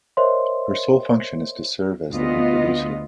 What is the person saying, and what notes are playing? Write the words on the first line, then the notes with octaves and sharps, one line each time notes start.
Her sole function is to serve as the reproducer.
A#4 C5 C#5 D#5 E5 C6
D2 B3 F4 D#5